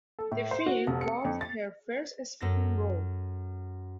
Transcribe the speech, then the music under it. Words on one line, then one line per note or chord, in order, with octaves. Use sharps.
The film was her first speaking role.
A4
A2
C5
F#4
F1
C#7
F2
A6
F#2 A4 A#6